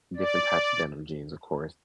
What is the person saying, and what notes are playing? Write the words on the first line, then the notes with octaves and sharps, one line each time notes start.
different types of denim jeans, of course.
D5